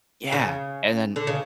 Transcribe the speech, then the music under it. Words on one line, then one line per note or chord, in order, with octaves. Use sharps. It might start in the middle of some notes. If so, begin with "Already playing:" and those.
Yeah, and then
C#3
D3
C#3